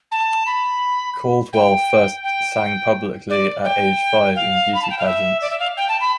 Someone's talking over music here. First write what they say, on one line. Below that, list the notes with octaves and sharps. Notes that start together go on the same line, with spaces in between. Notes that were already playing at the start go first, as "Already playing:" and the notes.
Caldwell first sang publicly at age five in beauty pageants.
A5
B5
G5
G5
D5
G5
F5
B5
A5
G5
F5
E5
D5
E5
F5
G5
A5
B5